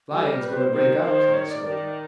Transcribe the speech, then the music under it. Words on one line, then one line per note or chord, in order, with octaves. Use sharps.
"Flying's going to break out," said the soldier.
G3 A4
A#4
B4
C5
D#3 C5
D#3 C5
C#5
D5
D#3 D5